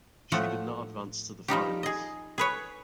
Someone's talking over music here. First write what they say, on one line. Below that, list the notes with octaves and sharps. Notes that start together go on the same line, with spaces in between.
She did not advance to the finals.
A2 F3 A3 F#5
F3 G3 D#4 G4
G#4 D#5
G#4 B4 C#5